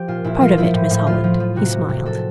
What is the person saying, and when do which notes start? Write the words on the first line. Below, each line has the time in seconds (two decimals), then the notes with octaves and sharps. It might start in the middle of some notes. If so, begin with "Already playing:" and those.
"Part of it, Miss Holland," he smiled.
Already playing: F3 G4
0.08 A#2 F4
0.24 A#2 E4
0.41 F3 F4
0.58 F3 E4
0.74 A2
0.91 A2
1.07 F3 F4
1.24 F3
1.40 F3
1.56 C3 F#4
1.73 C3
1.89 C3
2.05 C3 A4